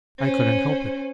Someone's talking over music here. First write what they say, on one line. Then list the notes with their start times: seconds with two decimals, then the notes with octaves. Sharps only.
I couldn't help it.
0.19 C#4 C5